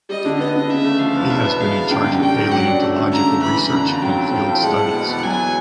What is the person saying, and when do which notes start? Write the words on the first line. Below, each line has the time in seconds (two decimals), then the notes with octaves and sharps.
He has been in charge of paleontological research and field studies.
0.09 G3 D#5
0.25 D3
0.40 B3 D#5
0.56 D3
0.69 C#3 E5
0.85 A3
1.00 F3 F5
1.15 E2
1.30 B2 E5
1.45 B3
1.60 G#3 F5
1.76 E2
1.90 D3 G5
2.05 F#2
2.20 G3 G5
2.36 F#2
2.51 F#3 F#5
2.67 D4
2.82 A3
2.96 D3
3.11 C#3 A#5
3.27 A3
3.41 E3 B5
3.56 F#2
3.73 D3 A#5
3.87 F2
4.02 F#3 G5
4.17 F2
4.32 F3
4.48 A2
4.63 G#3 F#5
4.78 A2
4.93 B2
5.09 E2
5.23 F#3 G#5